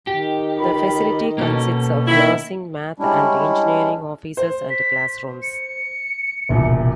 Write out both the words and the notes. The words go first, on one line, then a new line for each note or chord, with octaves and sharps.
The facility consists of nursing, math and engineering offices and classrooms.
D#3 G4
C#2 F4 B5
B2 A#3 C#4 A4
D#3 E4
G3 G#3 C#4 D4 E4
C5
B6
C#7
E1 C2 A#2